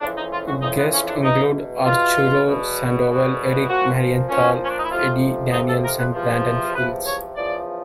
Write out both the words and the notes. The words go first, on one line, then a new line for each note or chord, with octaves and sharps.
Guests include Arturo Sandoval, Eric Marienthal, Eddie Daniels, and Brandon Fields.
F2 C#3 E3 D4
D#4
F4
F#4
F2 C#3 E3 D#4
B3
C#4
D4
E2 B2 D#4
E2 B2 F4
E2 B2
E2 B2
A#2 F3 F#4
A#2 F3 C#4
C#4
D4
D#4
E4
F2 C3 F3 F4
F2 C3 F3 D#4
A4
A#4
B4
E2 C3 F3
E2 C3 F3 B4
C#5
E2 C#3 F3 D5